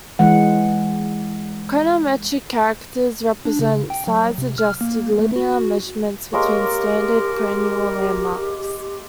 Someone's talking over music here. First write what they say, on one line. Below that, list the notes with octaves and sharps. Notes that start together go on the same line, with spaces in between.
Craniometric characters represent size-adjusted linear measurements between standard cranial landmarks.
E3 G#3 F#5
D4
C#3
G5
F#3
C3
F6
A#3
A3
F#4
G#3 A#3 G4 A#4 C#5